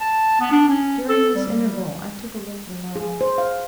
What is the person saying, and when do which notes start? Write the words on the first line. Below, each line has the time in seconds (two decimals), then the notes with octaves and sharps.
During this interval I took a look below.
0.01 A5
0.40 B3
0.51 D4
0.68 C#4
1.09 A4
1.35 G3
2.96 G#4
3.21 C5
3.38 F5